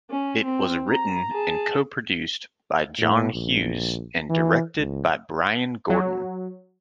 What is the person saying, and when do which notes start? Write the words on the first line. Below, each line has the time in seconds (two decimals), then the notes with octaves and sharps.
It was written and co-produced by John Hughes and directed by Bryan Gordon.
0.11 C#4
0.45 C4
0.89 A#5
1.32 G#4 A5
2.98 A2
3.33 A#1
4.30 E3
4.77 C#2
5.90 F#3